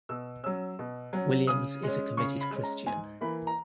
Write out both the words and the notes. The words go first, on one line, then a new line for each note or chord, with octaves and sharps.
Williams is a committed Christian.
B2 E6
F#3 C#4 E6
B2
F#3 C#4
C#3 D#6
G#3 C#4
C#3 C#6
B5
G#3 C#4
A#5
G#2 G#5
E3 A#3 B5
A#5